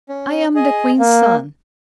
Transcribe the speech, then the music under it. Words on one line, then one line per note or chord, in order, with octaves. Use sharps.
I'm the Queen's son.
C#4
G#4 D#5 G#5
A#3